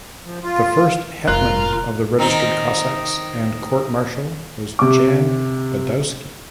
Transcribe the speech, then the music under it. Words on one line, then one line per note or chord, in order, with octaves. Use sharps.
The first Hetman of the Registered Cossacks and court marshal was Jan Badowski.
F3
F4
F1 F4 A#4 F#6
D#3 C4 D#4
C3 D6